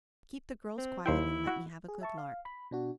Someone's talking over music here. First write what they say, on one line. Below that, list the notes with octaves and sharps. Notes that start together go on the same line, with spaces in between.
Keep the girls quiet, and let me have a good lark.
C4
D#2 E4 C5 G5
F#4
G#4
E5 A5 C#6
F5
B5
B2 D4 F#4